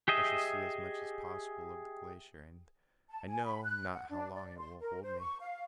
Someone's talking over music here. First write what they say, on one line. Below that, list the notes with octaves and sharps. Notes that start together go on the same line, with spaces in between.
"I shall see as much as possible of the glacier, and I know not how long it will hold me."
G4 G#4 D#5 E5
A5
G#5
B5
F#6
F#5
D4
D5
C6
A#4
C5
C#6
F5